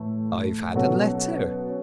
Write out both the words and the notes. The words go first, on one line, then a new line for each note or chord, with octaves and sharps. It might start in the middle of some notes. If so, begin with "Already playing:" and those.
"I've had a letter."
Already playing: A2 E3 A3 E4
B2 F#3 C#4 F#4 A4
C#4